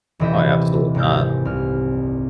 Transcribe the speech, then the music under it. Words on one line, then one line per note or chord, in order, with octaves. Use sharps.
Oh, yeah, absolutely not.
D#1 C3 E3 D#5 E5 G6
G#1 G#2 C3 G#3 G6
C2 F6